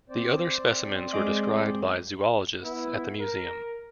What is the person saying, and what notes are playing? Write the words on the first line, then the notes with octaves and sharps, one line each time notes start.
The other specimens were described by zoologists at the museum.
C4 C5 D5
G#3 D#5 D6
B3 E4
A#4